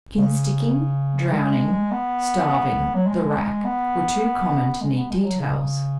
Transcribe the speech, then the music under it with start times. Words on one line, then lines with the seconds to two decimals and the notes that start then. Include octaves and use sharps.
Pin sticking, drowning, starving, the rack, were too common to need details.
0.17 C#3
1.32 G#3
1.91 B3
2.95 F#3
3.07 G#3
3.64 B3
4.81 G#3
4.96 B3
5.10 G#3
5.24 F#3
5.40 C#3